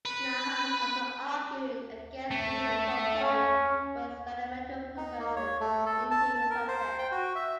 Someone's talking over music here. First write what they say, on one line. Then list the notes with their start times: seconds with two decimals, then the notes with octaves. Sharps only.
Nahas also argued against the use of cocaine for experimental purposes in human subjects.
0.05 B4
2.31 A3
3.20 C#4
4.97 D#4
5.19 A#3
5.36 C#5
5.60 A3
5.86 A4
6.11 A5
6.35 A5
6.50 A#4
6.68 C5
6.98 G5
7.12 F#4
7.35 E5